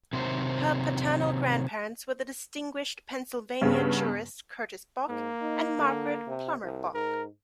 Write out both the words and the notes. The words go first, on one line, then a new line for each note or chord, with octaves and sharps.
Her paternal grandparents were the distinguished Pennsylvania jurist Curtis Bok, and Margaret Plummer Bok.
C3 D#3 F#3 C5
G2 C#3 B3
G#2 A#3
D#4
D3
C3
C2
G#2 A#4